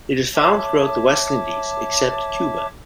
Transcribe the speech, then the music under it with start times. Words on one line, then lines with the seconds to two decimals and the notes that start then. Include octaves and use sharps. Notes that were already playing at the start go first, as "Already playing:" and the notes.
It is found throughout the West Indies, except Cuba.
0.34 C#5 E5 A5 D6